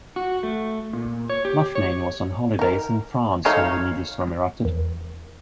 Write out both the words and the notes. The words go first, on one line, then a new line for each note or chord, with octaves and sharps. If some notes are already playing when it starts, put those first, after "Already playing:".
Loughnane was on holidays in France when the media storm erupted.
F#4
A3
A#2
C#5
G4
C#5
D#4 A#4
F#3 A3 D#4 C#5 F5
E2